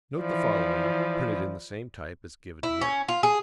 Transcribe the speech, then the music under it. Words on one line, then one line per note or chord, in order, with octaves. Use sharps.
Note the following, printed in the same type as given here.
E3 F3 E4 D5
E4
C#4
F4
G#4